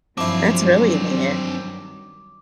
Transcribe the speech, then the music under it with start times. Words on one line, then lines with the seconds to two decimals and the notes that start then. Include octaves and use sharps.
That's really neat.
0.18 G2 D#3 F3 F#3 C4 D4 E4 D6